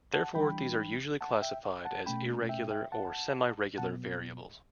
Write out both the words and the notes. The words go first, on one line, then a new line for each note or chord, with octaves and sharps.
Therefore, they are usually classified as irregular or semiregular variables.
F#5 A5
E3 G3 D4 G5 B5
F#5 A5
E5 G5
F#5 A5
B2 A3 C#4 G5 B5
E5 G5
E5 G5
F#5 A5
B2 F#3 B3 F#5 A5